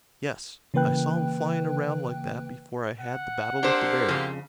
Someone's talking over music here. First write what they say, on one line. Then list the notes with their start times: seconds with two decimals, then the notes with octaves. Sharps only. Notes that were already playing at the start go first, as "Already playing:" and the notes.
Yes, I saw him flying around like that before I had the battle with the bear.
0.74 C#3 E3 A#3 B4 G5 F#6
3.00 F#5
3.63 A#3 C4 D4 G4 C5
4.08 F2 C#3